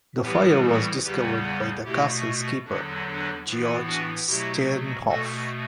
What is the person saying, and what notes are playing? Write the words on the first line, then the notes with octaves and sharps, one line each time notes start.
The fire was discovered by the castle's keeper, Georg Stiernhoff.
A2 E3 G3 B3 G4 B4
F#4 A4
E2 C#3 G3 B3 G4 B4
B2 A3 E4 G4
E2 D3 F#3 B3 D4
D4
A2 E3 B3
D4 F#4
B2 F#3 A3 E4 G4
B2 A3 F#4 A4